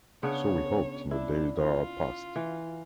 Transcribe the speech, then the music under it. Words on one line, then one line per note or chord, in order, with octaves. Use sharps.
So we hoped in the days that are past.
C#3 B3 D4 C#5
D4 E4
F4
E3